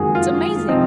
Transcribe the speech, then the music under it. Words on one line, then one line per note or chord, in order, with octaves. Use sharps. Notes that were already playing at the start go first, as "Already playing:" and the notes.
It's amazing!
Already playing: F#1 F2 D#3 G#3 F#4 G#4
F4
C3 F3 C4 D#4